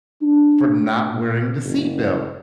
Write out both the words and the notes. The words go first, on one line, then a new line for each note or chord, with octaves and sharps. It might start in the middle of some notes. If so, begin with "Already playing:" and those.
for not wearing the seat belt.
D4
A#2
F#1